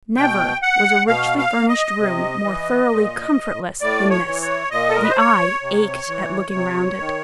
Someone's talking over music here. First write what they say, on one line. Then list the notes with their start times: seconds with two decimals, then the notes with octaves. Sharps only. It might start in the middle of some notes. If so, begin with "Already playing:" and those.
Never was a richly furnished room more thoroughly comfortless than this--the eye ached at looking round it.
0.17 B2 G5
0.62 F#5
1.08 B2 F5
1.38 F5
1.69 D#5
1.99 C3
2.44 E3
2.89 A#2
3.81 A2 D5
4.10 C#5
4.27 E3
4.41 C#5
4.71 A#2 D#5
4.89 A4
4.95 A#4
5.03 B4
5.10 C5
5.18 C#5
5.63 C3
6.08 E3
6.53 C3
7.00 D#3